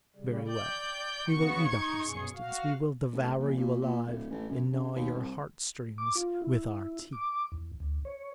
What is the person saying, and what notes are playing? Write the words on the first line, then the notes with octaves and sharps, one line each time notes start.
Very well; we will eat up your substance, we will devour you alive and gnaw your heart-strings with our teeth.
C#3 G3
D5 G5 G6
C#3 B3 F#4 C#6
D#4 G#6
F#2 B2 G#4
F#4 F5
A1
A#1
A#2
A#2
D1
A1
F#2
C#3
D#2
C2
D6
F4
E4
D6
E2
D2
C#5